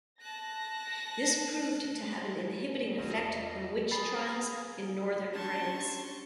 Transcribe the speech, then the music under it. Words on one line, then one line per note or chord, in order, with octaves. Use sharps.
This proved to have an inhibiting effect on witch trials in Northern France.
A5 F#6 A#6
E2 G2 F4 D5 D#5 A#6
G#4 B5 A6 C7
C#4 D4 G4 A5 C6 C#6